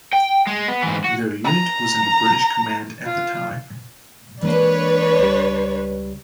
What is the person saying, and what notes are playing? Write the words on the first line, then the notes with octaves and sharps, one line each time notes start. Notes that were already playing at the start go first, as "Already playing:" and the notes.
Their unit was under British command at the time.
G5
G#3
B3
G#2 E3
F#4
A#5
F4
E3 G#3 A#3 D4 B4 C#5
C#2 G3